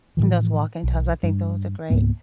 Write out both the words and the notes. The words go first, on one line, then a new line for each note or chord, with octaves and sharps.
and those walk-in tubs, I think those are great,
A2 E3 F3
B1
G2
C#2 G#2 A#3 B3